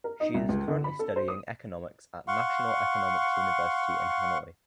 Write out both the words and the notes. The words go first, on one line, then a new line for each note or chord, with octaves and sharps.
She is currently studying economics at National Economics University in Hanoi.
A#4
D#4
C2
C#2
D3
B5
A4
C5
D#6
F5 F#5 C6 C#6